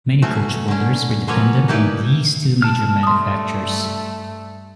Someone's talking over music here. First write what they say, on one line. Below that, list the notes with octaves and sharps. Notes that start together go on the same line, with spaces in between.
Many coach builders were dependent on these two major manufacturers.
B2 F#3 A3 C#4 F#4
D3 C#4
F3 F#3 A#3 C#4 B4 C#5
A#3 D#4 E4 G4 B4 D5
A5 F6
G2 A3 C6 D#6